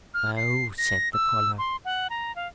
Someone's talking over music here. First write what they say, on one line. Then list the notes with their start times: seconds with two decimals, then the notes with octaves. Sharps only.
"Oh!" said the collar.
0.14 F6
0.37 C7
0.78 A#6
1.13 E6
1.58 C6
1.85 F#5
2.10 A#5
2.36 F5